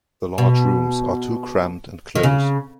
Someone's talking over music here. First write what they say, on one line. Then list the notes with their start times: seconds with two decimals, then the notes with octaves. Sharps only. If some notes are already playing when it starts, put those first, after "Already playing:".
The large rooms are too cramped and close.
0.38 B2
2.15 D#3
2.23 C#3